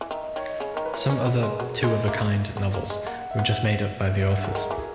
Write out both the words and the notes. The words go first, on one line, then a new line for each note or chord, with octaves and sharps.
Some other "Two of a Kind" novels were just made up by the authors.
E3
D#3 E5
D#5
D#3 C#5
D#5
C#3
D#3 A#4
B4
E3 C#5
C#4 D#5
B4
B3
G#4
G#3
A#4
F#3 G#4
G#3
D#5
A#3 E5
B3
A#3
G#3
A#3 F#5
E5
B3 F#5
E5
E5
E5
F#5
E5
E3 A#4
D#3 G#4
E3 F#4
G#4